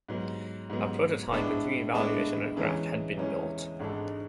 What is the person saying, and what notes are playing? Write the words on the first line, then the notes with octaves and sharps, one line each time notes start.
A prototype and three evaluation aircraft had been built.
G#2 F#3 B3
G#2 F#3 B3
A2 G#3 B3 D4
A2 G#3 B3 D4
E2 C#3 E3 G#3 C#4
E2 C#3 E3 G#3 C#4
G#1 G#2 G#3 D4 A4